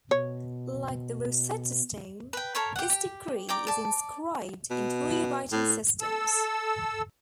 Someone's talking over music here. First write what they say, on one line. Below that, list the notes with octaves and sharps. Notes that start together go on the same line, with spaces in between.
Like the Rosetta Stone, this decree is inscribed in three writing systems.
B2 C#5
B4 G5
A4 A#4 C#5 B5
G4 F#5
G4
D5 G5 A#5 D6
D5 A5
B2
A2
A4 E6